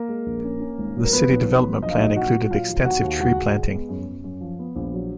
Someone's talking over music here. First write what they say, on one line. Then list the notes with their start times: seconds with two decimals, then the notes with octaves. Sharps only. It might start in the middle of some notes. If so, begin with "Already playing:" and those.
The city development plan included extensive tree planting.
Already playing: A#3 A#4
0.09 G#3
0.26 A#1
0.44 C#4
0.60 C#4
0.78 G#1
0.96 F#3
1.04 A#4
1.12 F3 B3 B4
1.30 B1
1.48 B1
1.65 B1
1.82 A#1 D#5
1.90 F5
1.97 F#3 D#4 D#5
2.16 A#2 F#4 F#5
2.34 A#2
2.50 F#3 F4 F5
2.69 D#2
2.85 D#2 F#4 F#5
3.03 D#2
3.20 C#2 F#4 F#5
3.38 G#3
3.54 G#3
3.71 B3
3.89 F#2
4.07 F#2
4.24 F#2
4.40 F3
4.59 B3
4.76 A#1
4.93 F#3